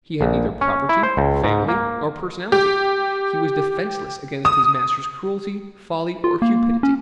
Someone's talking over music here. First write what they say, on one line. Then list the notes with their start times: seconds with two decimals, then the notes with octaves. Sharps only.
He had neither property, family, nor personality; he was defenceless against his master's cruelty, folly, or cupidity.
0.21 A#1
0.61 C#4
0.89 E4
1.03 C5
1.17 C#2
1.44 G#2
1.69 A#3
2.52 G4
4.45 D#6
6.24 F4
6.42 A#3
6.83 C#4